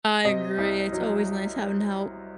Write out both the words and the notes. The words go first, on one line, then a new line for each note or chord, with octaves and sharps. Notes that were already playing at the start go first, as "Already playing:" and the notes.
I agree, it's always nice having help.
C3 D#5
C2
F#3